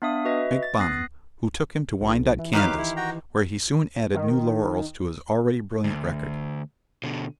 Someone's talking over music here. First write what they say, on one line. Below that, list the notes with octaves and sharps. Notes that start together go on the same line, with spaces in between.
Ike Bonham,--who took him to Wyandotte, Kansas, where he soon added new laurels to his already brilliant record.
B3 D4 E5 F5 D#6
F#4 B4 D#5 E5
A6
B3 D#6 F#6 A#6 C7
B1
E3
D#3 F#3 G4 B4 F5 D6
E4
F#4 G5 A#5
D#3
D2
B2 D3